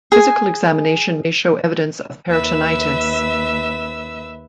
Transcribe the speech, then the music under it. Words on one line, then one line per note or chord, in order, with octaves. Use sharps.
Physical examination may show evidence of peritonitis.
G#4 G#5
D#2 B4 E5 E6